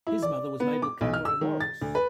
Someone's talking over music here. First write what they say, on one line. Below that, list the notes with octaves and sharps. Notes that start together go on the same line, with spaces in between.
His mother was Mabel Camroux Morris.
E4
D5
B3
D6
B1
F6
E6
D#3
A6
D2
B4